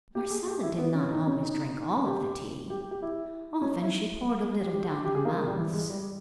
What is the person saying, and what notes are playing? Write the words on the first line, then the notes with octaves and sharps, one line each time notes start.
Marcella did not always drink all of the tea, often she poured a little down their mouths.
G4
G#4
G4
E4
B3
C#4
D#4
C#4
D#4
G4
G4
G4
G4
E4
C#4
D#4
E4
G4
G4
G4
G4
G4
G#4
A#3
G#3
G3
E3
G#3
G3